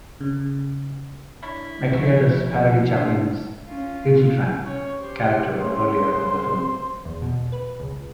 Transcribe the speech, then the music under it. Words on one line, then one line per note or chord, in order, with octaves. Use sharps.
McCrea does parody Chaplin's "Little Tramp" character earlier in the film.
C#3
D4 E4 C#5 B5
F3 A3 E5
D4 C5 E5
C#4 F4
C#4 C#5
G4 C5
C#3 A3 C6
C5
E2
B2
B4
C#2